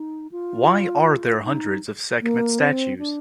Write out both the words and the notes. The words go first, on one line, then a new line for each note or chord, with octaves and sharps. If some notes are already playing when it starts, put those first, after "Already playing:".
Why are there hundreds of Sekhmet statues?
Already playing: D#4
F4
D#4
A#3
C4
D4